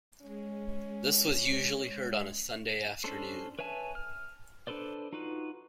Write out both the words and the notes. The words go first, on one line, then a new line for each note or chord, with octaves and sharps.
This was usually heard on a Sunday afternoon.
G#3 C#4
C#4 D4 A4 C5
B4 C#5 E5 G#5 A5
F6
D4 A4 B4 C5 D5
D#4 F4 F#4 B4